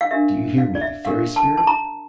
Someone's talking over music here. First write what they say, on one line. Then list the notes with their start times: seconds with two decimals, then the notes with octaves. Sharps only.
Do you hear me, you fairy spirit?
0.01 F5
0.11 D4 G4 A#4 E5
0.58 F5
0.75 D5
0.81 E5
1.05 D4 G4 A#4 F5
1.36 A5
1.57 A5
1.67 A#5